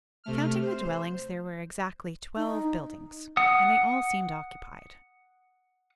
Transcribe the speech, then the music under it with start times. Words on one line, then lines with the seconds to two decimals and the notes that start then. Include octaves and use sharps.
Counting the dwellings there were exactly twelve buildings, and they all seemed occupied.
0.24 C3 A3 F6
0.62 C5
2.37 D#4
3.37 F#5 D#6